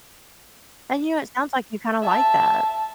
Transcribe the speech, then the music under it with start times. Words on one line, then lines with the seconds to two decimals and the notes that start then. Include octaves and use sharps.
And, you know, it sounds like you kinda like that.
2.02 E5 A5